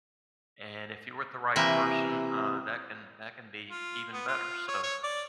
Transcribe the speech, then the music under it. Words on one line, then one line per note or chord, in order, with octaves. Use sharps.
and if you're with the right person, uh, that can that can be even better, so,
C3 E3 A#3 E5
F4
B3
F4
C#5
C#5
D5